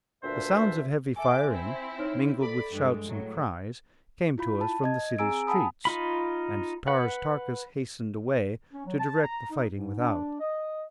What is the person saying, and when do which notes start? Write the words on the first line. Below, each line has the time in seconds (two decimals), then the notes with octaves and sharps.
The sounds of heavy firing, mingled with shouts and cries, came to us from the city's streets, and Tars Tarkas hastened away to direct the fighting without.
0.23 D2 A#2 D4 B4 C5 E5
1.16 A4 E5 G#5 D6
1.48 C4 E4 C5
1.99 D#4 C#5 F6
2.39 A4 D5 B5 D7
2.71 G2 G3 G#3
3.06 A2 F#3
4.38 E4 F4 B5
4.61 A5
4.84 D#5 G#6
5.18 C4 G#4 G#5 A#5 E6 D7
5.47 F#5 G#5 A5 B5 D#6
5.85 D#4 F4 B5
6.88 B4 F#5
8.73 C#4
8.86 F#3
9.00 A5
9.24 A#5
9.51 D#4
9.71 G#2
9.99 D4
10.41 D#5